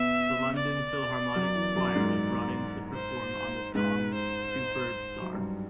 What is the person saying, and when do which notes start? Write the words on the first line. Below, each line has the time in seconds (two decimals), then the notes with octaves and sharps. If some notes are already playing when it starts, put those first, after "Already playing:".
The London Philharmonic Choir was brought in to perform on the song "Supertzar".
Already playing: B2 B3 E5
0.56 D5
1.35 F#2 F#3
1.56 E3
1.75 F#2 F#3
1.95 G#2 G#3
2.95 C5
3.75 G#2 G#3 B4
4.15 C5
5.22 F#3
5.33 G2 G3